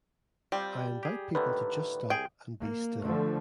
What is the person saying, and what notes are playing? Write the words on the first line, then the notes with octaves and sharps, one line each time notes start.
I invite people to just stop and be still.
G3 C4 F4 G4
G4 G#4
A2 D3 D#3 B4
C2 G#4 G5
A#3
D3 F3 A3